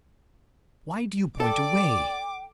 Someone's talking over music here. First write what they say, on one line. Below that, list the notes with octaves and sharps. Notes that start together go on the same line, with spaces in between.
"Why do you point away?"
A4 D5 G5 D6